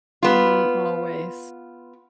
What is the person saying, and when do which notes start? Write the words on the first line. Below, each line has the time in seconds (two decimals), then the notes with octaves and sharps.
Mhm, always.
0.23 B3 F4